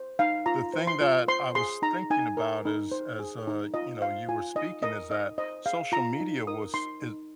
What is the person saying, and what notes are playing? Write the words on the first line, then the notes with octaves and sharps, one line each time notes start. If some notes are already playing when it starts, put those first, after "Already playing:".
The thing that I was thinking about is as, uh, you know, you were speaking is that social media was id
Already playing: C5
D#4 F5
F4 A#5
C5
C6
F4
C5 C6
G#4 C6
D#4 A#5
D#4 G#5
A#4
D#4
C5
G#4
D#4
F4 D#5
C5 F5
F4 G#5
D#4 D#5
A#4 D#5
D#4 D#5
C5 D#5
G#4 F5
F4 A#5
D#4
A#4 D#6
D#4 C6
D#4